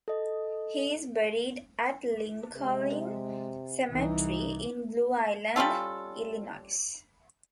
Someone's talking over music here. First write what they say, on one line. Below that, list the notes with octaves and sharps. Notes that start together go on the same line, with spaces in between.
He is buried at Lincoln Cemetery in Blue Island, Illinois.
A4 D#5
C3 G#3
C2 E3 D#4
G3 C#4 F4 A4